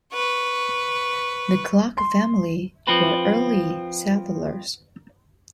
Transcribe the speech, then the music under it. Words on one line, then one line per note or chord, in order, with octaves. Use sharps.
The Klock family were early settlers.
B4 C#6
C6
F3 C4 B4